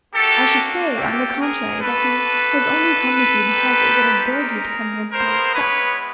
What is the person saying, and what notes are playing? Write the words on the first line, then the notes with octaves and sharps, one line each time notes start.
"I should say, on the contrary, that he has only come with you because it would have bored you to come here by yourself."
A#3 D4 F#4 G4 A4
G4 A4
G#4 A#4
A3 D4 F#4 A4 B4
C4 D#4 G4
G#4 A#4
G#3 B3 E4 A#4 C5
B4 C#5